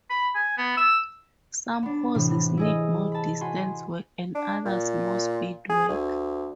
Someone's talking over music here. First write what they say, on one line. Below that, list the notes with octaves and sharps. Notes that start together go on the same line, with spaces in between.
Some horses need more distance work and others more speed work.
B5
G#5
B3
E6
B3 D4
A2 C3 E3
E4 G#4 D#5
A5 B5
F#4 G#5 B5 C6
D4
A#2
G#4
D2